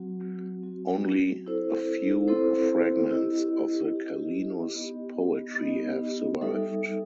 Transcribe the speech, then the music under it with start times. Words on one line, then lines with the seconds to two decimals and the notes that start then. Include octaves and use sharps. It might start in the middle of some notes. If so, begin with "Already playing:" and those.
Only a few fragments of the Callinus' poetry have survived.
Already playing: F#3 C4 F#4
0.62 F#3 C4 F#4
1.45 C4 E4 A4 C5
2.28 C4 E4 A4 C5
3.11 E4 G4 D#5
3.93 E4 G4 D#5
4.75 B3 D#4 G4 D#5
5.58 B3 D#4 G4 D#5
6.41 G3 D#4 A4 E5